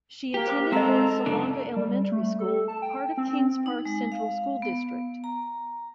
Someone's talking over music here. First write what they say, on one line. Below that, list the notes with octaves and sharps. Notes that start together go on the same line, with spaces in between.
She attended Fort Salonga Elementary School, part of Kings Park Central School District.
A#3 G4
C5 D6
G#3 C4 A4 D#5 F5 A#5
F#2 C#3 D4 A5
G3
A3
A4
A5
G5
C4
D#4
G#3
F5
B3
A#5